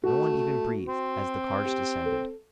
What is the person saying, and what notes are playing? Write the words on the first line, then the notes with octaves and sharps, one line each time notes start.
No one even breathed as the cards descended.
A3 F#4
C4
G4
A4